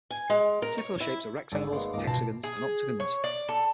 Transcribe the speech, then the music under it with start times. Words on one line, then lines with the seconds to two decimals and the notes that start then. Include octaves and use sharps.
Typical shapes are rectangles, hexagons, and octagons.
0.10 G#5
0.30 G#3
0.62 A#4
0.78 C#5
1.00 E4
1.52 G#1 G#4 A4 D5 E5
1.73 G#3 A#3 B3
1.93 G#1 C#2 A#3 D#5 D6
2.07 B2 F3 B4 A5
2.44 G#4
3.00 C#5
3.24 D5
3.49 A4